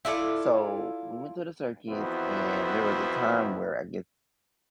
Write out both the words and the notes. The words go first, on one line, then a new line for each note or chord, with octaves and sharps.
So, we went to the circus, and there was a time where, I guess,
E4 F4 A4 D5
F2 E3 B3 E4 F#4 C5